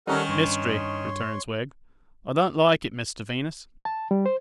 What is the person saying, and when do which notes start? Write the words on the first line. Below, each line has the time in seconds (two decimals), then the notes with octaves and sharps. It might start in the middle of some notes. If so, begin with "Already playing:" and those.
'Mystery,' returns Wegg. 'I don't like it, Mr Venus.
0.07 D#3 G3 C#4 D#4 A4 A#4 F#5
0.29 G2 C#5 C6 C#6
3.85 A5
4.11 G3
4.26 C5